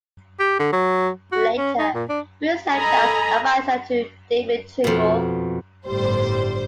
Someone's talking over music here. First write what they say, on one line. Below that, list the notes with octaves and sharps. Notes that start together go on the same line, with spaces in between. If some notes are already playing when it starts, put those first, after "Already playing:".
Later, Bew served as an adviser to David Trimble.
G4
D3
F#3
F#4
C#4
D#4
A#2
D4
A4 D#5 G#5 A#5 B5
F2 B2
G1 A2 G3 C5